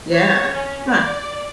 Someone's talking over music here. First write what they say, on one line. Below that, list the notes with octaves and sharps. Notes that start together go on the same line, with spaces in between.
Yeah. Huh.
C#5
C#4
D5